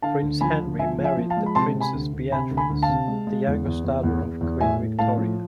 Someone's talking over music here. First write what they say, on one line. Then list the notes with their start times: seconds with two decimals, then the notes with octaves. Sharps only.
Prince Henry married The Princess Beatrice, the youngest daughter of Queen Victoria.
0.02 D3 F5 A5
0.22 D2
0.41 F3 G#5 B5
0.60 D2
0.79 F3 E5 G#5
0.98 F3
1.04 E5 G#5
1.17 F3
1.30 F5 A5
1.37 G#3
1.46 B5
1.55 C3 A5 C6
1.75 C3
1.80 G#5 B5
1.94 D2
2.13 D2
2.32 C3 G#5 B5
2.51 D2
2.57 G#5 B5
2.70 D2
2.82 F5 A5
2.89 C3
3.08 G#3
3.27 G#3
3.47 E2
3.66 E2
3.84 E2
4.03 E2
4.22 E2
4.41 E2
4.61 A2 E5 G#5
4.80 A2
4.99 A2 F5 A5
5.18 F3